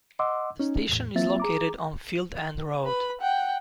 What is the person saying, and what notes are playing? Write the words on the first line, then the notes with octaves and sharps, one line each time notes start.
The station is located on Field End Road.
D#5 F#5 C6 D6 E6
C#4 D#4
E2 A2
F#3 A#3 C4 F4 E5 A6
G#4 A#5 D6
B4 B5
F#5 G5